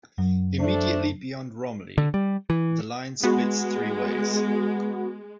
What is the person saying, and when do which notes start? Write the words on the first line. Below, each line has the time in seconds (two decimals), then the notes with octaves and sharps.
Immediately beyond Romiley, the line splits three ways.
0.18 F#2 F#3
0.59 A3 D4 C5
1.98 D3
2.14 G3
2.50 E3
3.23 G#3 B3 F#4